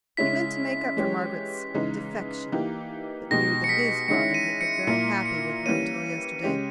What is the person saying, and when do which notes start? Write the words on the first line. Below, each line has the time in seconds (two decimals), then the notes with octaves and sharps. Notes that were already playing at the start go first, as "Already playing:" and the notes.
He meant to make up for Margaret's defection, but knew that his father had been very happy with her until yesterday.
0.17 C#3 G#3 C#4 E4 B6
0.97 E3 G#3 C#4 G4
1.74 C#3 E3 G#3 D#4
2.52 E3 A#3 D#4 G4
3.31 B2 G#3 D#4 G4 A#6
3.64 C#7
3.69 B6
4.08 D#3 G#3 C#4 E4 C#7
4.34 D#7
4.61 C#7
4.87 A#2 A#3 E4 C#7
5.25 C#7
5.65 E3 G3 A#3 C#4 D#7
6.43 C#3 G#3 C#4 G4